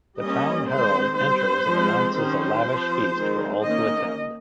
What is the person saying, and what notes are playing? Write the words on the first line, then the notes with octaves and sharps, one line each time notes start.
The town Herald enters and announces a lavish feast for all to attend.
G3 A#3 C#4 D#5
D#3 G#3 C4 C5
G3 C4 C5
F3 G#3 C4
D#3 G3 C#4 C5
F3 C4
D#3 G#3 C4
D#3 A#3 C#4 D#5